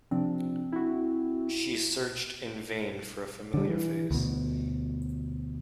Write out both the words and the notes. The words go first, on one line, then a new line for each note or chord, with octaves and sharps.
She searched in vain for a familiar face.
C3 F3 C4 D4
E4 F#4
D3 G3
E3
D2 B2